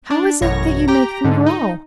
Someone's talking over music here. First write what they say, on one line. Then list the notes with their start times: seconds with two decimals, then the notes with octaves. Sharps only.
"How is it that you make them grow?"
0.11 D4
0.41 A1 F#2 B2 C#5 A#6
0.88 G4 A#5
1.24 G#2 D3
1.46 D#4